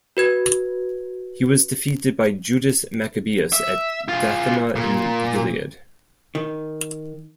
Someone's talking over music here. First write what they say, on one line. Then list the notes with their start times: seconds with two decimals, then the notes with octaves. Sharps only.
He was defeated by Judas Maccabeus at Dathema in Gilead.
0.17 F#4 B4 G#6
3.53 E5
4.09 F4 G#4
4.76 A#2
6.35 D#3